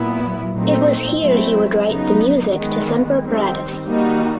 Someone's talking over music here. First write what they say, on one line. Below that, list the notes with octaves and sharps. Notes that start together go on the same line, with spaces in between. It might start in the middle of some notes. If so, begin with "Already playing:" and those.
It was here he would write the music to "Semper Paratus".
Already playing: A#2 F#3 B3 E4
A#2 F#3 A3 C4 D#4
F#3 A3 C4 E4
C#3 F#3 B3 D#4
D#3 G#3 B3
D#3 G3 C4
D#3 G3 A#3 D#4 F#4